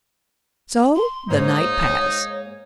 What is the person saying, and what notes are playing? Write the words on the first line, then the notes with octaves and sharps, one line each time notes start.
So the night passed.
C6
G#2 A#3 D#4 C5 C#5